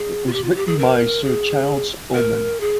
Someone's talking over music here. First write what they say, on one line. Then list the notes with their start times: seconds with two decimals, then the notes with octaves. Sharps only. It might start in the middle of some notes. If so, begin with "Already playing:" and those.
It was written by Sir Charles Oman.
Already playing: G#4
0.27 F4
0.33 G4
0.44 F4
0.56 G4
0.67 G#4
0.79 A#4
1.24 G#4
2.15 A#4
2.61 G#4